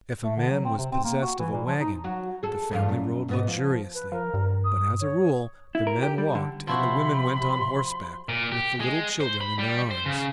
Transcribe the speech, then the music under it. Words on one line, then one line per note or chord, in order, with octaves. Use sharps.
If a man was possessed of a wagon, the family rode luxuriously; but as a rule the men walked and the women went on horseback with the little children in their arms.
A3
D3
F#3
C4
C3
C4
A#3
F#4
E3
A#2
F3
D#4
F#3 F#4
G#4 A4
E2 G2 F4
F#2
G#2 B3 D#5
F3
B4
F3 A#4
G2
D#6
C#5
E4
A#4
G4
G3
D3
C3 F3 E4 F#4 B5 C6
A#2
G4
G#3
C5
B5
G3
C5
C#3